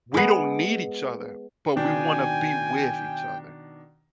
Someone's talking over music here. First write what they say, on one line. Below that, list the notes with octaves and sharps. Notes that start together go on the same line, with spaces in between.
we don't need each other, but we wanna be with each other
G#3 B3
B2 D#3 D4 G5 G#5